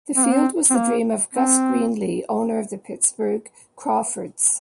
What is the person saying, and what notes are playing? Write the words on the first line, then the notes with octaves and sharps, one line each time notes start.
The field was the dream of Gus Greenlee, owner of the Pittsburgh Crawfords.
C4
A#3
C4
C4
A#3
C4